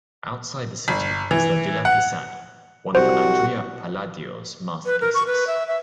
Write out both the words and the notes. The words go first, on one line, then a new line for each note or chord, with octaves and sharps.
Outside the city is the "Villa Pisani", one of Andrea Palladio's masterpieces.
G1
E3
F#5
C2 F#4 C5
B4
A#4
C#6
B4
E5
E5